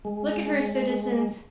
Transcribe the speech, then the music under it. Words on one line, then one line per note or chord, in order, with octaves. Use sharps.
Look at her, citizens!
G#3